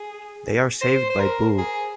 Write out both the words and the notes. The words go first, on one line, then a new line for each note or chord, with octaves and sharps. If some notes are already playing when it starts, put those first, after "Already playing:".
They are saved by Boo.
Already playing: G#4
C5
C5
A#4
G#4